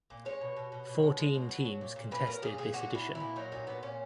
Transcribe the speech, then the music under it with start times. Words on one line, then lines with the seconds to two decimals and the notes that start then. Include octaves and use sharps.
Fourteen teams contested this edition.
0.10 A#2
0.25 G#3 C#5
0.41 B2
0.57 B2
0.72 B2
0.87 B2
1.02 G#3
1.18 G#3
1.34 B2
1.49 F#3
1.65 F#3
1.81 A#2
1.96 A#2
2.11 A#2 B4
2.27 F#3 A#4
2.42 A#2 G#4
2.58 A#2 G#4
2.74 A#2 F#4
2.90 A#2 E4
3.05 F#3
3.15 E4
3.20 A#2
3.36 F#3 D#4
3.52 A#2 D#4
3.67 A#2 B3
3.83 A#2 C#4